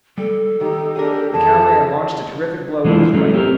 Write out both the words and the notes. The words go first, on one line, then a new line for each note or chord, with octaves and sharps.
The cowman launched a terrific blow with his right.
G3 A4
D#3 D#4 G4
D4 G4 G#4 A#4
F2 G#4 A4 A5
E3 G#3 C#4 D4 E4 F4
F#3 A3 C#4
C4 G4 A#4